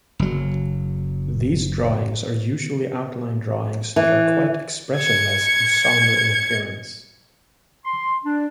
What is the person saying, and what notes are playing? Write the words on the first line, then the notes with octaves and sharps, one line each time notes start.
These drawings are usually outline drawings that are quite expressionless and somber in appearance.
F#1 F#3
E3
G#6 C#7
C6
D4